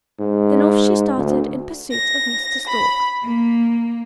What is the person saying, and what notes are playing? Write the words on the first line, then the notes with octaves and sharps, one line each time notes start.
Then off she started in pursuit of Mr. Stork.
G#2
D2
A#6
B5
A#3